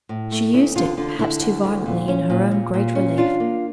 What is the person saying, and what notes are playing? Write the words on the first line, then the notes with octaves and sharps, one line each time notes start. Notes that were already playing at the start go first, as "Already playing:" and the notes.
She used it perhaps too violently in her own great relief.
A2
A3
D2 E4
D3 F4
D3 F4
D3 E4
D2
D2
A#2
C#4
A#2
A#2
A#2
C#4
D4 F4
A#3